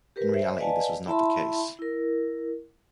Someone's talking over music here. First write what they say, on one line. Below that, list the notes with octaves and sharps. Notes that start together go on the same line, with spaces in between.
In reality, this was not the case.
G4 A#4 B4
C5 E5
B4 D5 D#5 F5 G#5 A5
E4 E5 A5 B5 C6
E4 A#4